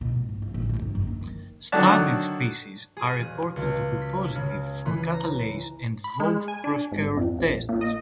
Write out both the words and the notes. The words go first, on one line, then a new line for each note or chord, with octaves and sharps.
Studied species are reported to be positive for catalase and Voges–Proskauer tests.
B2
G#2
G#1
A#3
A1
A3
G2
F#1
D#4
D#3
D3 D#3 F#3 F#4 D5 A5
G#4
E1
C#2
B6
C#3
E3
A#5
B5
G#3
G#5
D4
G#1
F2
A#1
A#2
D#5